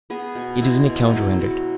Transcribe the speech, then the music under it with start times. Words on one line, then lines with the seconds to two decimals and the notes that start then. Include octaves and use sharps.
It is an account rendered.
0.10 B3 G#4
0.35 B2
0.62 G#3 E4
0.88 B2
1.10 F#3 D#4 E4
1.40 F#3 F#4